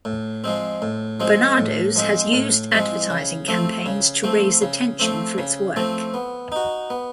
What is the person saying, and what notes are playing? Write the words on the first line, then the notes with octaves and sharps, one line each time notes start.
Barnardo's has used advertising campaigns to raise attention for its work.
A2
F3 G#3 C4
A2
F3 G#3 C4
A2
F3 G#3 C4
A2
F3 G#3 C4
C#3
F3 A3 C4
C#3
F3 A3 C4
C#3
F3 A3 C4
C#3
F3 A3 C4
B3
D#4 F#4
B3